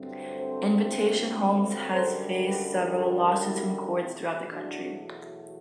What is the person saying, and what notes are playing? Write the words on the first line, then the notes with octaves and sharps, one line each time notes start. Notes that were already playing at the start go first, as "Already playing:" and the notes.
Invitation Homes has faced several lawsuits from courts throughout the country.
Already playing: G2 D3 F#3 A3 C4
A4 C5
F#2 D3 G3 A4 C5
G4 B4
F#4 A4
E4 G4
E2 B2 F#3 A3 C4 E4
D4 F#4